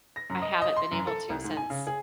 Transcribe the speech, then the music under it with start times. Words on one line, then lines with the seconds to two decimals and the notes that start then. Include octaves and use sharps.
I haven't been able to since
0.16 A#6
0.30 F#2
0.42 D#5
0.62 D#5
0.77 C6
0.92 F#2
1.07 A4
1.30 C2
1.44 G#2
1.57 G#5
1.70 C#3
1.87 G#4